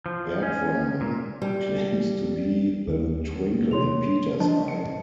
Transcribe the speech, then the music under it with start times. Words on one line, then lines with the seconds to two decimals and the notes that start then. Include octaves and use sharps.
Bertram claims to be the twinkle in Peter's eye.
0.06 F3
0.43 C#4
1.01 A#2
1.42 G3
2.87 D#2
3.71 C3 C#5 C6 F7
4.40 F3 D4 D#5 A5
4.68 C#7